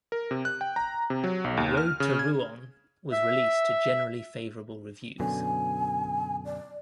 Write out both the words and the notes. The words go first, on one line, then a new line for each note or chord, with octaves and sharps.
"Road to Rouen" was released to generally favourable reviews.
A#4
C3
F#6
G5
A#5
C3
F#3
B1
D#2
F6
C#3
G#6
E5
F#2 B2 D3 G#5
D5